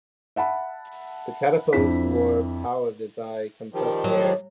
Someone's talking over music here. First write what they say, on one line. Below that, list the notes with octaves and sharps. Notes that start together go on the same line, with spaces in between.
The catapults were powered by compressed air.
E5 F#5 A5 B5
F2 D4 E4 B6
D#3 F3 G3
F#3